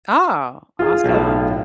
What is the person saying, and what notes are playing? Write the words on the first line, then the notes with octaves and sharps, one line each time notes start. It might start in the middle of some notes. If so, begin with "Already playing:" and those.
Oh, awesome.
F4 G#4
B1 A2